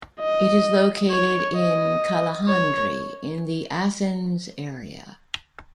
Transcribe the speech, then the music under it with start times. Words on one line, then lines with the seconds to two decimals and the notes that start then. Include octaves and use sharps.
It is located in Chalandri in the Athens area.
0.20 D#5
1.11 C#5
1.56 D#5
2.48 C#5